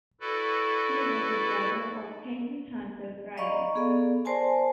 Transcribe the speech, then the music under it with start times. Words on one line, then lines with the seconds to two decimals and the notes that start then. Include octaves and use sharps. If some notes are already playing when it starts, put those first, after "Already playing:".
He was a brother of Henry Hunter Bryan.
0.21 E4 F#4 A4 B4 D5
3.37 D5 D#5 F5 A#5 B5 C#6
3.75 B3 G#4 A4 D5 F5
4.25 A#4 C5 D5 G#5 A5 C6